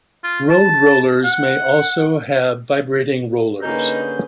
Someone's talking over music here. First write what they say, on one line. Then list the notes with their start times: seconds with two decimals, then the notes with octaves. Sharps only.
Road rollers may also have vibrating rollers.
0.24 F4
0.50 A5
1.24 F#5
3.62 D3 A#3 C#4 D#4 G#4 B4 G6